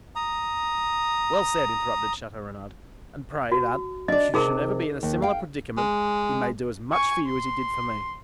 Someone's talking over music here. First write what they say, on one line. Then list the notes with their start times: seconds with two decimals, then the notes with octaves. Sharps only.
"Well said," interrupted Chateau-Renaud; "and pray that, if you should ever be in a similar predicament, he may do as much for you as he did for me."
0.16 A#5 D#6
3.52 F#4
4.08 D4 D5 D#5
4.34 C3 D#4 G#4 A#4
5.03 D#2
5.22 F5 G5
5.77 G#3
6.92 G#5 C#6
7.27 C6